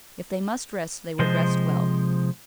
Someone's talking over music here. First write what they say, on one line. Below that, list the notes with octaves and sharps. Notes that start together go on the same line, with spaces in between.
If they must rest they would rest well.
C3 F3 G#3 C5